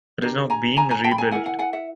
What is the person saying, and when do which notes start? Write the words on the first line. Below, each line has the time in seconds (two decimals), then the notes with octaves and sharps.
It is now being rebuilt.
0.22 D4 G4 A#4
0.50 G#5 A#5
0.77 G#5 A#5
0.91 G#5 A#5
1.04 G5 A5
1.11 B5
1.18 G#5 A#5
1.31 E4 G4 A#4 F#5 G#5
1.46 F#5 G#5
1.59 F#5 G#5
1.73 E5 F#5